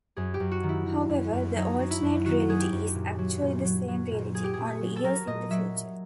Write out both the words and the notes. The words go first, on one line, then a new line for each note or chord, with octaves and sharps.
However, the "alternate" reality is actually the same reality, only years in the future.
F#2 G#4
G4
F#2
F#4
D#3
E4
D#3
F#2
F#2
F#3 D#4
F#3
E4
F#2
D#3 F#4
F#3 G#4
G4
F#2
A#2
F#3
A#2
F#3
F#3
A#2
F#3 G#4
G4
A#2 G#4
F#3
A4
F#3 A#4
A#2 D#5
F#3 E5